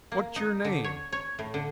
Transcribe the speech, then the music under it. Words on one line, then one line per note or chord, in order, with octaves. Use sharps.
"What's your name?"
A#3
D#4
D3
C#5
C#5
A2
D3